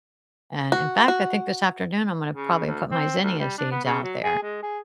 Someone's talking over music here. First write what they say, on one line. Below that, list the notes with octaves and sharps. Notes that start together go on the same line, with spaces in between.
And in fact, I think this afternoon I'm gonna probably put my zinnia seeds out there.
F#4
F#4
C#3
D2
C4
D2
G3
D4
B3
C#3
F#3
G#4
G#3
G#4